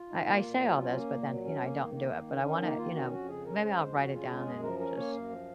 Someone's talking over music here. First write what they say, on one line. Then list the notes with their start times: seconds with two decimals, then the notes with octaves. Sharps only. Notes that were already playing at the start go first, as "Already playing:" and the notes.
I I say all this, but then, you know, I don't do it. But I wanna, you know maybe I'll write it down and just,
Already playing: F4
0.09 D#4
0.27 A#3
0.43 A#2
0.60 F#3
0.77 C#4
0.94 A#3
1.10 A#2
1.27 F#3
1.44 C#4
1.61 A#3
1.78 D#3
1.94 A#3
2.11 D#3
2.28 C#4
2.44 D#3 D#4
2.61 A#3 D#4
2.78 D#3 F4
2.95 C#4 F#4
3.11 F2 F#4
3.28 C#3 G#4
3.45 C#4 A#4
3.62 G#3 C5
3.79 F2 C5
3.95 C#3 F#4
4.13 C#4 F4
4.22 F#4
4.29 G#3 F4
4.46 F#2 G#4
4.63 F3 A#4
4.79 C#4 A#4
4.96 A#3 C#5
5.13 F#2 F5
5.29 F3